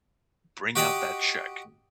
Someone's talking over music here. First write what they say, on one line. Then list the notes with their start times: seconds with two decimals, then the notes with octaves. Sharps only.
bring out that check,
0.75 F#4 G4 D#5 F#5 G5 A#5